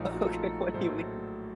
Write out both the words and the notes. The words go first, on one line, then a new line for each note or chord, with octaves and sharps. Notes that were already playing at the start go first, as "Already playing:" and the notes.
Okay, what do you mean?
Already playing: A#1 A#2 F3 A3 D#4 F4
D#4 F#4
F4 A4
A#1 A2 F#3 A#3 A4 C5